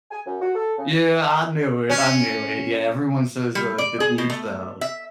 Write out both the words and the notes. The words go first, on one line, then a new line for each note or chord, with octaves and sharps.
Yeah, I knew it, I knew it. Yeah, everyone says, like, the Deep South
G#5
F#2
F#4
A4
C#3
C#4
G3
D5
G#4
B2
A3
E5